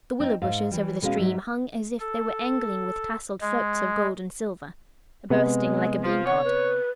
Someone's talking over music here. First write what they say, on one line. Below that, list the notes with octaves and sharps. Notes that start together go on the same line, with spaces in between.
The willow-bushes over the stream hung as if they were angling with tasseled floats of gold and silver, bursting like a bean-pod.
C4 D#4
G#2 F5
E3 G3
B2 G#3 C#4 F5
G#2 F#3 E5
A4
G#3
C3 G#3 B3
F3 F4
C#5 F#5
B4